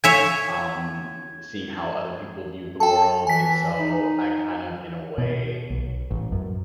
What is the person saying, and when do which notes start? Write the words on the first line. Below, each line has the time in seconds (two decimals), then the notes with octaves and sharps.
um, seeing how other people viewed the world, and so I kind of, in a way,
0.04 C#5 E5 G#5 G#6
2.80 A4 G5 A5
3.27 E3 G#5 B6
3.79 D#4
5.18 B2
5.70 B1
6.11 A1
6.32 F#2